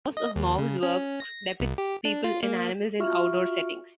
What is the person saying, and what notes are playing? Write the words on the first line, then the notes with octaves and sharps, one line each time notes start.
Most of Mauve's work depicts people and animals in outdoor settings.
D#5
D#2
C#3
C#4
A#6
C2
G4
D4
F4
A#3
F4 F#4 E5 C#6 F6